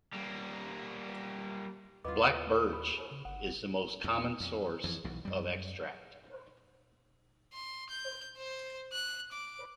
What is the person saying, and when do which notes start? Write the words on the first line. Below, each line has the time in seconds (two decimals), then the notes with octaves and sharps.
Black birch is the most common source of extract.
0.13 G3 A#3
2.05 D#2 B3 E4 F4 D#5 D6
2.72 F#4 B5
3.11 C#3
3.25 G1 F#5
4.04 E2
4.40 F2
4.84 F2 E3
5.04 B1 B2 E3
5.25 F#2 G3
7.53 C6
7.90 G6
8.37 C5
8.93 F#6
9.32 D6